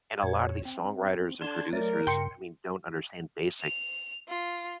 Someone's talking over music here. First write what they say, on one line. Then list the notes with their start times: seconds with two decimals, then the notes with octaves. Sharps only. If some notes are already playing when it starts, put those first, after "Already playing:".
and a lotta these songwriters and producers, I mean, don't understand basic
0.22 F2 A#2 C#5
0.65 C4
1.41 D3 D4 A5 C6 G#6
1.73 F#3 A3 A#4 D5
2.07 G2 C#3 G5 C6 C#7
3.61 F7
4.28 F4